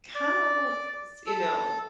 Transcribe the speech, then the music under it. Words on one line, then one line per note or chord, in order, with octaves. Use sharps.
kinda wanna s you know,
D5
A4